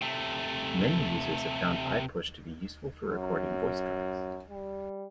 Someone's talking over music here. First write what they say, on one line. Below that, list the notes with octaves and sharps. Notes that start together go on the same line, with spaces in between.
Many users have found iPush to be useful for recording voicetracks.
C3 A3
F#2
G3